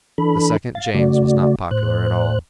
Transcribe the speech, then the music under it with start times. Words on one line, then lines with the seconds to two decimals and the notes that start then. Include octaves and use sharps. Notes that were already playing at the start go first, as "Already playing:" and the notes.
The second James was not popular at all.
0.18 E3 D4 A4 B5
0.75 F5 A6
0.95 C#3 A3 F#4 D5
1.71 A2 C5 F#6